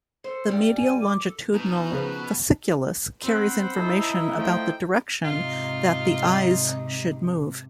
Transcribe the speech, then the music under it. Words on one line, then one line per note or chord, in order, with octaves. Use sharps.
The medial longitudinal fasciculus carries information about the direction that the eyes should move.
A4 C5
G2 G3
G#5
D6
A4
B2 D#4
C#3 F3 B4
C4 C5 F#5 B5
D#4 E4 A4
F3 A3 G5
G#2 C3 D#4 F4